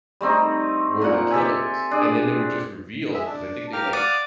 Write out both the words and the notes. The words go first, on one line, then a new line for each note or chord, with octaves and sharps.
were the killers, and, then, they were just revealed 'cause I think they, like
G3 A3 C4 D#4
A#2 F#5
G4 A4 E5 G#5
D4 G#4
G#3 E5
D4
G4 A#4 F5
D5 F5 F#5 D#6